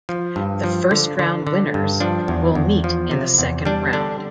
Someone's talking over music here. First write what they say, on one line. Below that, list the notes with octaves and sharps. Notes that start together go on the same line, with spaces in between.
The First Round winners will meet in the Second Round.
F3
G2
F3
D3
D3
D3
G2
F3 D4
E2
E2
F3
C3
E2
G3 D4
D3 D4